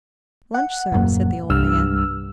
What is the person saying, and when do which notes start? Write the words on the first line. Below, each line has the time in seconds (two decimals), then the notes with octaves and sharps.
"Lunch, sir," said the old man.
0.54 F#5
0.92 D#1 F#2 A#3
1.50 C2 G2 E6 F6